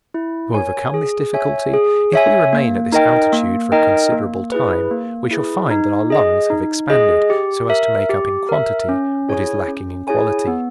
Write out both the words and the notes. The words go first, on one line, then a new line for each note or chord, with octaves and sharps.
To overcome this difficulty, if we remain at this altitude for a considerable time, we shall find that our lungs have expanded, so as to make up in quantity what is lacking in quality.
E4
A#4 C#5 G#5
G#4
C#5 E5 G#5
G#4
C#5 E5 G#5
A#3
D#4 A#4 D#5 G5
A#3
D#4 A#4 D#5 G5
A#3
E4 G#4 B4
A#3
E4 G#4 B4
D#4
G#4 D#5
D#4
G#4 D#5
G4
A#4 E5
G4
A#4 E5
C#4
E4 G#4 C#5 G#5
C#4
E4 G#4 C#5 G#5
B3